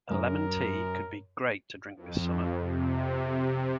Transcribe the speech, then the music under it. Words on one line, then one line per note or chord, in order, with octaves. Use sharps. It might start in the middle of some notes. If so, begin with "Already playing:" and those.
A lemon tea could be great to drink this summer.
F#2 A#4
F2
C3